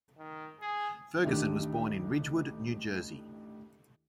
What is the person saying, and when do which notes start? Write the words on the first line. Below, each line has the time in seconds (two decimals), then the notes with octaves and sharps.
Ferguson was born in Ridgewood, New Jersey.
0.18 D#3
0.61 G#4
1.24 A1 D2 D#3 D4 G4